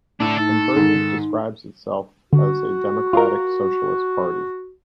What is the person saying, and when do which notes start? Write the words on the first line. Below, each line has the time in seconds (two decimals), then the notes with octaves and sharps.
Convergence describes itself as a democratic socialist party.
0.20 A2 D4 A4
0.38 D#4 A4
0.76 G#2 D#3
2.33 D3 F#4
3.13 F4 A#4